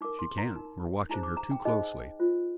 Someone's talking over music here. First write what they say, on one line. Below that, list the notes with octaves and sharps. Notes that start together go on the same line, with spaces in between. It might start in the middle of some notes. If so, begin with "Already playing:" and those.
"She can't--we're watching her too closely."
D#4 A#4 D6
C6
A#5
D#4 A#4
D#4 G#4 C5 A#5
D6
A#5
G5
D#4 G#4 C5 D#5
F4 C5